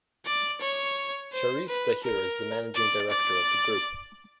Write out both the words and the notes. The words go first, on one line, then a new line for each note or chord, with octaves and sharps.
Sharif Zahir is the Managing Director of the group.
D5
C#5
C5
B4
A#4
D5
D5